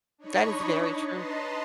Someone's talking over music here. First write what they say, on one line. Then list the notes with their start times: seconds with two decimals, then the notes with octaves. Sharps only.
That is very true.
0.18 D4 D#4 C#5 D#5 B5 C#6
1.04 B4 D#5 A5 A#5 C6